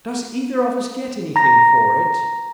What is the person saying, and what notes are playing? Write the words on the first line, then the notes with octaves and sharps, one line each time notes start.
"Does either of us get anything for it?"
A#5 A#6